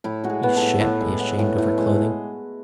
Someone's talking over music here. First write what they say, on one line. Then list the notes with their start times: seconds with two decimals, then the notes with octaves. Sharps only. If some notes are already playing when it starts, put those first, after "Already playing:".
You shan't be ashamed of her clothing.
0.04 A2 E4
0.24 G#3 F#4
0.30 G#4
0.43 B3
0.56 A4
0.62 A2
0.81 A2
1.01 G#3
1.19 B3
1.39 A2
1.58 A2
1.78 G#3